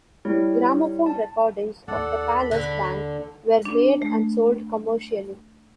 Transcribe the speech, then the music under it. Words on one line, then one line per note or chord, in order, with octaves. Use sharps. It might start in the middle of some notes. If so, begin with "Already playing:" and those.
Gramophone recordings of the palace band were made and sold commercially.
G3 E4 C#5
A5
D#2 A4 D5 F#5
B5
D3
D4
A3